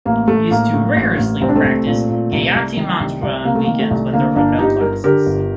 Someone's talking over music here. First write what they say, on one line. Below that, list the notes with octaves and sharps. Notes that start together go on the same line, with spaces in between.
He used to rigorously practice Gayatri Mantra on weekends when there were no classes.
A1 A#3
A1 A3
A2 A#3
A2
A1
A1
C2 C4
D4
A3 C4
C2
A#2
A#2
C2
C2
D#3
C2
C2
C3 A#3
A3
D#3 A#3
A3
C2
D3 A#3
G1 A#3 D4
G1 D#4 G4
G2 A#4
D3 G4 A#4
G1